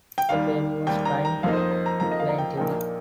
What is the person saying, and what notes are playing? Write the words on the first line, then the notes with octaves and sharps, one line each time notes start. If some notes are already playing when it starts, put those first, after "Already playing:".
The baby was crying plaintively.
G5
D#2 D#3 G3 F5
D#2 D#3 G3 G5
A#5
A#5
F2 F3 A#3 D#4 F5
C5
D#5
C5
A#5
F2 F3 A#3 D#4 A#5
D#5
F5
A#5
G5
A#1 A#2 A#3 D#4 G5